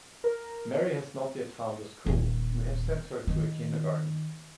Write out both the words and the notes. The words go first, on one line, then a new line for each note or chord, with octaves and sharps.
Mary has not yet found a school. We have sent her to a kindergarten.
A#4
D#1
D#3